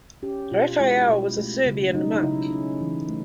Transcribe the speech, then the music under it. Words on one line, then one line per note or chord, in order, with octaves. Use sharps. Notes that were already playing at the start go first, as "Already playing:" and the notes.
Raphael was a Serbian monk.
C#4 G4
B2 F4
G#3 E4
B2
A3
C#3
F#3 D#4
D#4
C#3 E4
C#4
E3
A3